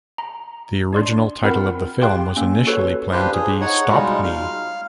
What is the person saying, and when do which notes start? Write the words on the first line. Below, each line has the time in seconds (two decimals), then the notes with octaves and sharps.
The original title of the film was initially planned to be "Stop Me".
0.18 A#5
0.93 D4 D5 C6
1.43 C4 F4 A#4 F#5 B5 F6
2.02 G4 F5 G5 C6 F#6
2.37 A#3 C#4
2.67 F#4 A4 B4 C#5
3.12 D4 F4 G4 B4 C5
3.32 G#4
3.61 D#4 C#5 F#5
3.88 B2 G3 G#3 D#4 F4
4.23 F5 F6